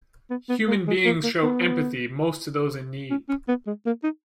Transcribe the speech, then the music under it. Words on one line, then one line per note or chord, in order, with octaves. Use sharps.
Human beings show empathy most to those in need.
B3
B3
A#3
G#3
A#3
A#3
B3
C#4
C#4
B3
G#3
A#3
D#4